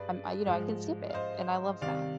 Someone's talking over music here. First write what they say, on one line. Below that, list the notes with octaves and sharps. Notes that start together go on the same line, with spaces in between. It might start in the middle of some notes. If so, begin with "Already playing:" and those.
I'm, you know I can skip it, and I love that,
Already playing: G2 G#4 B4 D5
G#2 F3 G#3
F5
C5 D#5
C3 D#3 G3 D5 F5